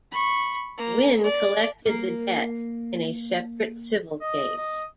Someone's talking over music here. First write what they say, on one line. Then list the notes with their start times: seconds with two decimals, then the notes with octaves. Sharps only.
Wynn collected the debt in a separate civil case.
0.12 B5 C#6
0.78 A#3
1.24 D5
1.86 A#3 A#4
4.21 D#5
4.57 D#5